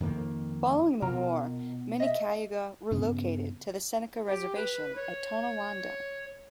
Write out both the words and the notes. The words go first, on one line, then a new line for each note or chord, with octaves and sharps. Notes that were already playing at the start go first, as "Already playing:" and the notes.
Following the war, many Cayuga relocated to the Seneca reservation at Tonawanda.
F2 D#3 A#3
B2 F4 A#4 A#5
D#5 E5
G2 C#3 B3 C#4
G4
B4
C#5